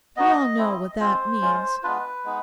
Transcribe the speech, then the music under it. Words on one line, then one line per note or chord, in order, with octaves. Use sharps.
We all know what that MEANS.'
B3 D#4 F#4 D#5
A3 C4 E4
G#3 C4 F4 C5
G#3 C#4 F4
G#3 B3 D4 F4 B4
G#3 B3 D#4